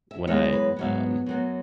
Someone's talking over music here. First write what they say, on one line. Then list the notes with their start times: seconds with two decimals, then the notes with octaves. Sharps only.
when I um
0.11 E5
0.27 F#2 E3 G#3 B3 C#5
0.52 B4
0.76 G#2 F#3 B3
1.26 F#2 F#3 B3